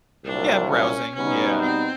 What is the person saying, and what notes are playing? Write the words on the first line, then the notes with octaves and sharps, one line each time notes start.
Yeah, browsing, yeah.
C2 A#2 F#3 D4
C#4
B2 G3 B3 C#4 D#4
C4